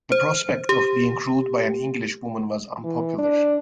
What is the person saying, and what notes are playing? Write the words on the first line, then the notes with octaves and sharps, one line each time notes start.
The prospect of being ruled by an English woman was unpopular.
C5
G4
E3
D4